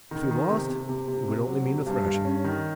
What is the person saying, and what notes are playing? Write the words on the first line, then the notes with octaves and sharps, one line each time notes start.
If he lost, it would only mean a thrashing.
D#3
D#3
C3
C3
C3
C3
C3
F#3
C3
G2
G2
C#4
D#3